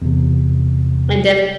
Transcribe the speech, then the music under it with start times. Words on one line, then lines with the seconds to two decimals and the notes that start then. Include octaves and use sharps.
and def
0.02 E2 C3